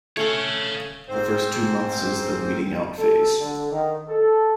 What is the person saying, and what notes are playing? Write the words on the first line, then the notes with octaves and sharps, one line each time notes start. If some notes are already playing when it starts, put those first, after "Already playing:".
The first two months is the weeding out phase.
A3 C#4 A4 C#5 F5
G#2 C4 C5
A4
D3
D#3
A4